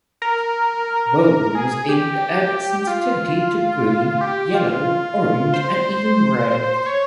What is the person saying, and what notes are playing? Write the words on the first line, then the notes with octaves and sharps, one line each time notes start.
Vogel was able to add sensitivity to green, yellow, orange and even red.
A#4
G#4
G4
F4
G4
F4
C5
C#5